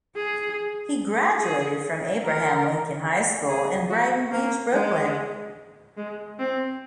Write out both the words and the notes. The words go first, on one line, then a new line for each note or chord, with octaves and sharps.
He graduated from Abraham Lincoln High School in Brighton Beach, Brooklyn.
G#4
G#4
A#4
G#4
F#4
A#3
G#3
G#3
C4